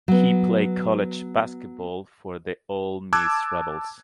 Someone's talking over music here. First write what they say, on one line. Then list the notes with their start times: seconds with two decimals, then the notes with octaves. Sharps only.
He played college basketball for the Ole Miss Rebels.
0.08 F#3 B3
3.13 A5 D6 E6 F#6 G#6